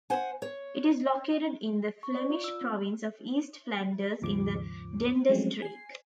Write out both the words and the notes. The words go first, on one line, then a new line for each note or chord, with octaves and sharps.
It is located in the Flemish province of East Flanders in the Denderstreek.
C5 F#5 G#5
C#5
C#6
D5
F4
E6
C4
D#2 G#2 C#3 F3 D6
F3 F#3 G#3 A3 C4 C#4
G#5 C7